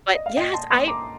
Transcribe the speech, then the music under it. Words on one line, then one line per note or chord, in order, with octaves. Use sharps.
But yes, I
D#5
F5
A#2 D#5 G5
A5 C6
A#3 C6 D#6
A#5 D6